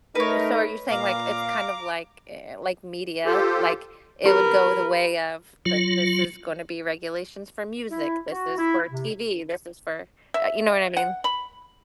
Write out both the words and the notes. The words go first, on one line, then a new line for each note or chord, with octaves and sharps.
eh, so are you saying, like, it's kind of like eh, like media, like, it would go the way of, "Th this is gonna be regulations for music, this is for TV, this is for" Uh, you know what I mean?
A3 D#4 A#4 B4 C#5
A#2 F5 A#5 D6
F4 G4 A4 C5
G4 A#4 B4
F#3 F4
E4
F#4
E4
C3
E5
F#5
B5